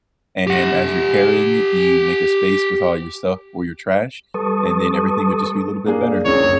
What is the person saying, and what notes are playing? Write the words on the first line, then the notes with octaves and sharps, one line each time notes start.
and as you're carrying it, you make a space with all your stuff or your trash, and then everything would just be a little bit better.
G4 F#5
G3 A4 B4 A5 C#6 D#6
A#3 D4 G#4
F#1 C#2 C#5